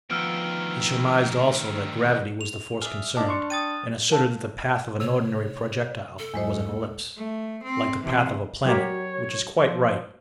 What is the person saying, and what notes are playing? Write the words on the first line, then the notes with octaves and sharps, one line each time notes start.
He surmised also that gravity was the force concerned, and asserted that the path of an ordinary projectile was an ellipse, like the path of a planet--which is quite right.
D2 D#3 F3 B3 E6 F6 D7
F7
G#4 D5 E5 F6
D4 D#5 A5 D6
C6 C#6
G5 D#6 A6 D#7
A4 A#4 F5 A5 E6
C3 C#5
A4
E2 G#2 F#3 G#3 C5 D#5
A#2
A3
C4
C3 E3
F#3 G4 A#4 C#5
F3